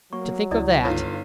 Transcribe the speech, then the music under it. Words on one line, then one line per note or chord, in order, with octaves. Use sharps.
'To think of that!
F#3 A#3 C#6
C#2 E4 D5 D#6
G1 D#4 F4 C#5